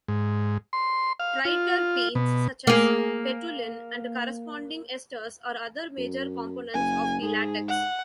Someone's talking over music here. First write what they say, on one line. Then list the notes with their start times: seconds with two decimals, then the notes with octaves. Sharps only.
Triterpenes such as betulin and corresponding esters are other major components of the latex.
0.08 G#2
0.73 C6
1.20 F5
1.45 F4
2.15 B2
2.67 A#3 G#4
5.98 F#2
6.74 F#1 G#5
7.21 G#2 G#4
7.69 F#5